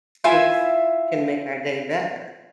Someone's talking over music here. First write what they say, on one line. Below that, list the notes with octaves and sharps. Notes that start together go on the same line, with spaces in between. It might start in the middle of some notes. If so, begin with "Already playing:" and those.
which can make our day better,
E4 F4 E5 G#5